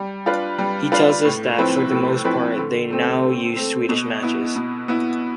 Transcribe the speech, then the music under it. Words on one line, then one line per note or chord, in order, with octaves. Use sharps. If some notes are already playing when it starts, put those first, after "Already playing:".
He tells us that for the most part they now use Swedish matches.
Already playing: G3
D4 F4 B4
G3
D4 F4 B4
A2
F3 C4 E4 B4
A2
F3 C4 E4 B4
D3
A3 C4
D3
A3 C4
B2
B3 E4
B2
B3 E4